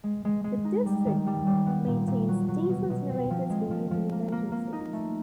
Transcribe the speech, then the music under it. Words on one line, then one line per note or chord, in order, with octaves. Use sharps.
The District maintains diesel generators for use in emergencies.
G#3
G#3
G#3
D#4
G3
D#3
G3
G3
B3
A#2
A#2
F#3
F#3
B2
B2
C4
F3
G#3
F3
F3
A#3
A#3
A#3
D#4
A3